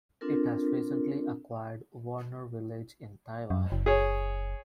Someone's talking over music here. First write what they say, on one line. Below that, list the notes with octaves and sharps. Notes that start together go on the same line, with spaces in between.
It has recently acquired Warner Village in Taiwan.
C4 D4 F4 A4 A#4
F#2
F#1
G#4 C#5